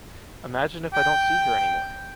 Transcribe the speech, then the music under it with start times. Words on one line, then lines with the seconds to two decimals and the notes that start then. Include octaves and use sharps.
Imagine if I don’t see her anymore.
0.94 G5